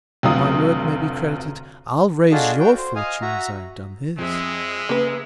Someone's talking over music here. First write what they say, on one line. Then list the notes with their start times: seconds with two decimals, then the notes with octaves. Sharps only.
If my Word may be credited, I'll raise your Fortune as I have done his.
0.23 F1 D2 F#3 F4 D#6
2.30 D4 F4 F#4 G#4 A4 D#5
2.60 F#4 G5
2.77 C5
2.96 D#5 F5 G#5 D#6
3.21 F#4 E5 A#5
4.18 F2 G#3 G#4 E5
4.89 C#3 A#3 B4